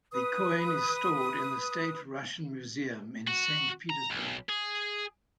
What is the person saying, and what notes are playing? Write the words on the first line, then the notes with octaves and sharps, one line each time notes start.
The coin is stored in the State Russian Museum in Saint Petersburg.
B4 D#6
F#4
A#5
B1
G#4